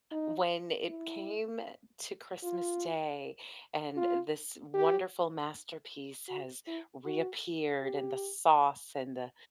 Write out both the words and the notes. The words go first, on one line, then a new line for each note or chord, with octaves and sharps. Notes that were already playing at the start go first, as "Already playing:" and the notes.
when it came to Christmas Day, and this wonderful masterpiece has reappeared, and the sauce, and the
D#4
E4
F4
F4
G4
F#4
E4
F#4
G4